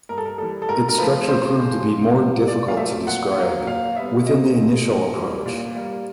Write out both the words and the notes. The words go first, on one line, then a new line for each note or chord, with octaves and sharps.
Its structure proved to be more difficult to describe within the initial approach.
G2 A#4
A4
A#4
E3 G3 A4
A4
G#2 A#4
A#4
F3 A3 C4 B4
C#3 C5
F3 G#3
C#3
E3 G3
A#2 D5
F5
F#3 A3 C4 E5
A#2 F#5
F#3 A#3
A#2 F5
G3 B3 E5
C#3 D#5
E3 A3 C4
G2
E3 G3
A#2
G3 A#3